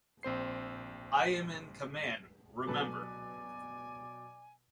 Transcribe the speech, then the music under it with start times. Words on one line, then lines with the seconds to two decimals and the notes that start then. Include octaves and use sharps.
I am in command, remember.
0.23 A#1 C4 C5 C7
2.67 B2 F#3 A4 B4 D5 G#5 A5